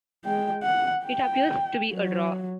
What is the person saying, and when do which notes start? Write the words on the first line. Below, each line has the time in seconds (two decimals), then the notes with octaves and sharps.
It appears to be a draw.
0.24 G#3 G5
0.63 F#5
1.05 G5
1.93 F#3